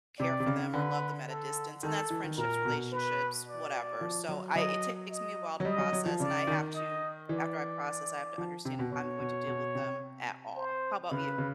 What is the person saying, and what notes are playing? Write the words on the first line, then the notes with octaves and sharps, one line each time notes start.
care for them or love them at a distance, and that's friendships, relationships, whatever. So I it takes me a while to process, and I have to after I process, I have to understand if I'm going to deal with them at all. How about you?
C3 D5
C3
C#3
D3 B4
A4
D#3 A4
E3
D#3
A#2 A#4
B2
B4
D5
F3
F#3
F#3 D#5
D#5
F#3
G3 D#5
F#3
F#3
F3
C#3 D5
D#3
D#5
E3 D5
F3
C3
B2
B2 C#5
B2
B2
C3
C5
C#3 B4
C#3